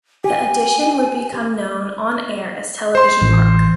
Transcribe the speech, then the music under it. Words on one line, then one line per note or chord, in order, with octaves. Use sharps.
The addition would become known on-air as Television Park.
G4 G#5
C5 C6
A1